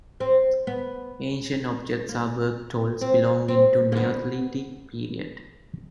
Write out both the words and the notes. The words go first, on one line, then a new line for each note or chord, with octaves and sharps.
Ancient objects are work tolls belonging to the Neolithic period.
C4
B3
A#3
C4
C4
A#3
B3